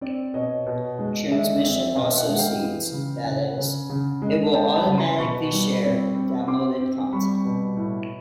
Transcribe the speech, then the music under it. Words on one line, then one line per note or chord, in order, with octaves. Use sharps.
Transmission also seeds, that is, it will automatically share downloaded content.
C4 D5
B2 C#5 D#5
B2
G#3
G#3 D5 E5
C4 D5 E5
B2 D#5 F5
E5 F#5
G#3
F5 G5
E3
C#3
C#3 F#5 G#5
C#3
C#3
G#3
G#3 G5 A5
A5 B5
C#3
A#5 C6
B2 B5 C#6
G3
C4
C4
C4 C6 D6
C4
G3 B5 C#6
B2
A2